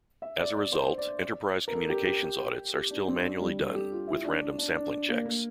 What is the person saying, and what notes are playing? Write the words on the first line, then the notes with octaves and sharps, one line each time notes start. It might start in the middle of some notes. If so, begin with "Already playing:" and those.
As a result, enterprise communications audits are still manually done, with random sampling checks.
E5
D5
D5
C5
D5
A#4
A4
G4
G4
G4
D4
C4
D4
G3
A4
G4
F4
E4
D4
D4
D4
A#3
A#3